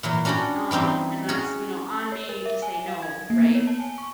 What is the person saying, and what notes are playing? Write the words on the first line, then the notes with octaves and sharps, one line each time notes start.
um, and that's, you know, on me to say no, right?
A#2 E3 F#3
C#4 D4 F#4 G5 B5
E3 G3 C4 D#4 C5
C#4 F#4 G#4
C#5
A#4
E5
G#5
F5
G#6
A#3
B3
C#5
A5
G#5
C#6